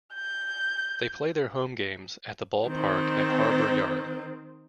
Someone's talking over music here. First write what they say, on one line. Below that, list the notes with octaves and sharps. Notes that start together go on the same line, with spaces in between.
They play their home games at The Ballpark at Harbor Yard.
G6
D#3 C4